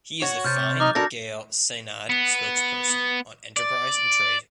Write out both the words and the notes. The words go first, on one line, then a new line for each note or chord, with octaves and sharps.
He is the Fine Gael Seanad Spokesperson on Enterprise and Trade.
F#4 C#5
C3 F6 G6 A6
D#4 D#5 D6 F6
F#2 D4 A4 A#4 A#6
B3
D5